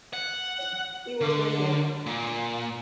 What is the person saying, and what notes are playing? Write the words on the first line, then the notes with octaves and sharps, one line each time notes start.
He was my hero.
F#5
D3
A#2